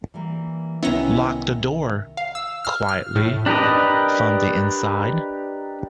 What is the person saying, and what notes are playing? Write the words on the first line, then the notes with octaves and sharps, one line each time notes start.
Lock the door — quietly — from the inside.
E3 G3 A#3
C2 D#3 B3 C#4 E4 E5 G#5 A#5
F5
E6
F6
F6
A2
D4 G4 A#4 B4 D#5